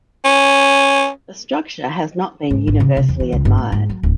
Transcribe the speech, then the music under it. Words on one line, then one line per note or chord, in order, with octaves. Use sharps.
The structure has not been universally admired.
C#4
G#2
G#1
C#3
C3
E2
E3
C#2
G1
A2
G#2
F#3
D1